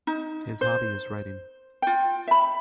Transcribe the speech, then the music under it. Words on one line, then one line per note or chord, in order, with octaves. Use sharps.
His hobby is writing.
D#4
C5
F4 G5
E5 B5